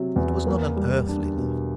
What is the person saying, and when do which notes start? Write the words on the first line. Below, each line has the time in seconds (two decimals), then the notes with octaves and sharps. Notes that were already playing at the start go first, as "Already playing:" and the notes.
It was not an earthly love.
Already playing: C3 F#3
0.16 E2
0.47 A#3
0.77 G3
1.08 D4
1.38 B2